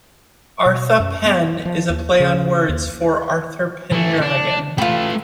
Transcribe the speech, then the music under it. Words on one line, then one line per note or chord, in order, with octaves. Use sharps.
Artha Penn is a play on words for Arthur Pendragon.
B2
F#2
B3
F3
D#2
C#3
D#2
E3 A3
D4
A3 F4 B4 G5